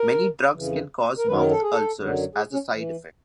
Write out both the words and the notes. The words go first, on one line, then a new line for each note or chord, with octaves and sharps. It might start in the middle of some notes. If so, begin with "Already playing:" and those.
Many drugs can cause mouth ulcers as a side effect.
Already playing: A#4
F2 C#3 E3
A#4
F#2 D#3 F#3 B4
A#4
A4
G#4
A4
F#2 D3 F#3
G#4
C#4
E3